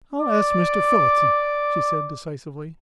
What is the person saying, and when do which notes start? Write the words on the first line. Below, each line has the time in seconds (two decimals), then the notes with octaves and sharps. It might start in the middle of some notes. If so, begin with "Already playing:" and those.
"I'll ask Mr. Phillotson," she said decisively.
0.20 D5 D6